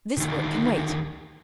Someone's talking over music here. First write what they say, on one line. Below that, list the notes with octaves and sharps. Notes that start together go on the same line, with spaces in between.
'This work can wait.
D2 D#3